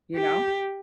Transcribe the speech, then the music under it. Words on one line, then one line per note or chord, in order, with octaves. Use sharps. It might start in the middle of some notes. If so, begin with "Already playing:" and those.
you know?
G4